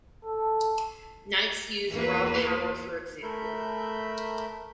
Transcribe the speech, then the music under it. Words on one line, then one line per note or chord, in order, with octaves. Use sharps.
Knights use raw power for example.
A4
E2 A#3 F4 B4
A3 A#4 E5 B5 G6